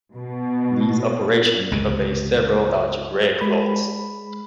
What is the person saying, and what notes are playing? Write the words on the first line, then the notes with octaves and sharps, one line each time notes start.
These operations obey several algebraic laws.
B2
C#2 G2 C3
G#3 B5